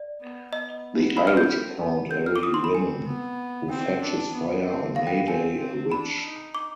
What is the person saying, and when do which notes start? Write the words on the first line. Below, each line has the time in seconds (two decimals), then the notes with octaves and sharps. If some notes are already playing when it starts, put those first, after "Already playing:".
The Irish account every woman who fetches fire on May Day a witch.
Already playing: D5
0.21 B3
0.53 B3 D#5
1.17 B5
1.27 F6
1.37 G6
1.48 C4
1.80 B3
2.11 C4 G6
2.26 F6
2.36 D6
2.43 D#6
2.54 C6
2.64 B5
2.75 G#5
3.06 B3
3.70 C4 G5
4.01 D4
4.33 B3
4.64 C4
4.96 B3 F5
5.07 G5
5.17 F5
5.28 C4 G#5
5.60 C4
5.91 D4 B5
6.23 D#4
6.55 D6